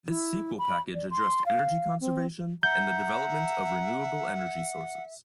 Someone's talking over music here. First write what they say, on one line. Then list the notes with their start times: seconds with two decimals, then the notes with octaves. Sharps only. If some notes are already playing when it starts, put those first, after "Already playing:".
This sequel package addressed energy conservation and development of renewable energy sources.
0.08 E4
0.59 B5
0.94 D5
1.11 C6
1.46 F5
2.01 C4
2.63 E5 F#5 A#5 G6